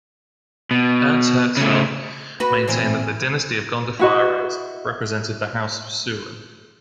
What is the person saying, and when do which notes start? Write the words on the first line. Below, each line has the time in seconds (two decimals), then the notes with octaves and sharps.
Ernst Herzfeld maintained that the dynasty of Gondophares represented the House of Suren.
0.71 B2
1.57 C#3 A3
2.40 F#4 B4
2.68 A#2 E3 C4
3.99 E4 F#4 D#5